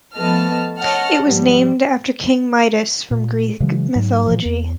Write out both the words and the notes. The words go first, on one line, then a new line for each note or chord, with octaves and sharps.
It was named after King Midas from Greek mythology.
F3 A3 B3 D#5 A5 F6
C#5 D#5 F#5 A5 F6
G#2 F3 G3
A#2
C#3 E3 F#3 G#3
G#2 F#3
A#2 E3 F3
E2